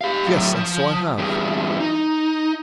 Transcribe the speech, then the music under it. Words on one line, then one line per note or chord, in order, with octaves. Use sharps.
Yes, and so I have.
G4 F5
A2 F#3
F3
E2 G2
D#4